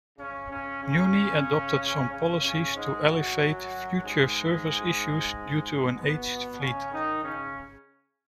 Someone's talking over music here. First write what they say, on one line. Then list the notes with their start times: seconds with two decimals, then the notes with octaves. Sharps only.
Muni adopted some policies to alleviate future service issues due to an aged fleet.
0.19 C#3 C#4
0.50 C#3 C#4
0.82 C#3 C#4
2.11 C#3 C#4
2.43 C#3 C#4
2.75 G#2 G#3
3.06 F#2 F#3
4.03 G#2 G#3
5.95 B2 B3
6.60 C#3 C#4
6.91 D#3 D#4
7.23 C#3 C#4